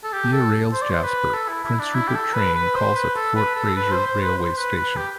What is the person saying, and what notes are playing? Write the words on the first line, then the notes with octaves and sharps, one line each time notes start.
Via Rail's Jasper - Prince Rupert train calls at the Fort Fraser railway station.
A4
G4
A4
C5
D5
C5
B4
A4
E4
E4
D4
E4
G4
A4
B4
B4
C5
B4
A4
B4
A4
B4
C5
C5
B4
C5
B4
B4
G4